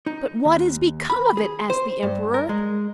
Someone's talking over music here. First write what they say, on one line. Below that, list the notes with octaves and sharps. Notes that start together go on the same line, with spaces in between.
"But what is become of it?" asked the Emperor.
D#4
D#2
B5
G#4
C5
G2
A#4
G#3